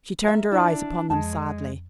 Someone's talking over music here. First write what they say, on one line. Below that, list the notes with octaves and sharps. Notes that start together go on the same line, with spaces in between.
She turned her eyes upon them sadly.
A#4 E5
D4 E4 D5
F2 G#3 A5